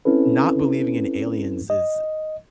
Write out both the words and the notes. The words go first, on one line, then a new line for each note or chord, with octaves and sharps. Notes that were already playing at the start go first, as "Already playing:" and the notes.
not believing in aliens is
C4 C#4 E4 A4 B4
D#5